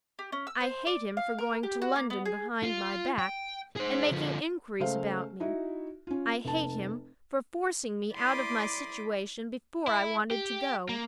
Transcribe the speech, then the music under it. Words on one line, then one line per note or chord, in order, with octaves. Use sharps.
I hate him for going to London behind my back, and making inquiries about me. I hate him for forcing me out of my situation before I wanted to go.
G4
C#4
E6
C5
D5
F5
A#4
G4
F#4
A#3
B3
G#4
F4
G5
G#4 C5
D3 F3
C#2 A3 C5 F5
D#4 E4 F#4
C#4 F4
F1 A5
E4 D5 B5 C6 D6 D#6
E4
G4
A#3